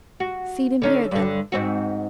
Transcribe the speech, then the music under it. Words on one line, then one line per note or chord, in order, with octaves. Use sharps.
'Feed him here, then.
F#4
D3 C#4 D#4
G2 D3
G#2 C4 F#4